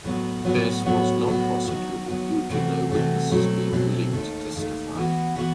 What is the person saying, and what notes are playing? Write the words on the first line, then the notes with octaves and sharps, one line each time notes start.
The case was not prosecuted due to no witnesses being willing to testify.
A2 F#3 B3 F#4
A2 F#3 B3 F#4
A2 F#3 B3 F#4
A2 F#3 B3 F#4
D#3 F#3 B3 F#4
D#3 F#3 B3 F#4
C3 E3 A3 C4 F#4
C3 E3 A3 C4 F#4
B2 F#3 A3 C4 E4
B2 F#3 A3 C4 E4
D#2 D#3 A3
D#2 D#3 A3
E3 B3 F#4
E3 B3 F#4